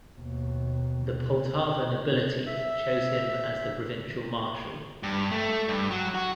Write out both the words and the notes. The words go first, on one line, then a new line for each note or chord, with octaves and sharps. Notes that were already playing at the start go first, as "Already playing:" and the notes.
The Poltava nobility chose him as the provincial marshal.
D#2 B2
E5
G2
A3
G2
F#3
F#4